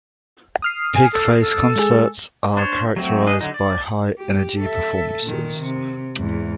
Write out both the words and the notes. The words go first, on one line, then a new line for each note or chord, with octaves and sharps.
Pigface concerts are characterized by high-energy performances.
D#6 F6 C7
G#5
A4
A4
G#3 G#4
D4 C5 C#5
F#3 A3 C4 F#4
D4 D#4 G#4 D#5
D3 F#3 D#4
D5
G4
A4 E5
A#2 D#3
C3
E2 G#2